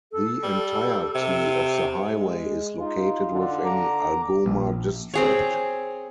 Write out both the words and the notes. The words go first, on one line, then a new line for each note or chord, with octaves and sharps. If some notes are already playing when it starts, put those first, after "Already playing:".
The entirety of the highway is located within Algoma District.
A4
G3
C3
G#3
D#4 F4
D3
A#5 D6
A#1
C4 G#4 C#5